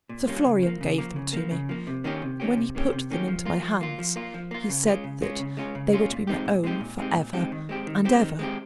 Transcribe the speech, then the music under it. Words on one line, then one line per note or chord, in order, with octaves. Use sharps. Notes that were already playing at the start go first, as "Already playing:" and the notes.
Sir Florian gave them to me. When he put them into my hands, he said that they were to be my own for ever and ever.
A#2
G3 A#3 C#4 F4
C#3
F3 A#3
C#3
F3 A#3
C#3
F3 A#3
C#3
F3 A#3
C3
D#3 A#3 C#4 G4
C3
D#3 A#3 C#4 G4
C3
D#3 A#3 C#4 G4
C3
D#3 A#3 C#4 G4
F3
A#3 F4
F3
A#3 F4
F3
A#3 F4
F3
A#3 F4
C#3
G#3 C#4 F4
C#3
G#3 C#4 F4
C#3
G#3 C#4 F4
C#3
G#3 C#4 F4
A#2
G#3 C4 D#4 G4
A#2
G#3 C4 D#4 G4
A#2
G#3 C4 D#4 G4
A#2
G#3 C4 D#4 G4
D#3
G#3 C4 G4
D#3
G#3 C4 G4
D#3
G#3 C4 G4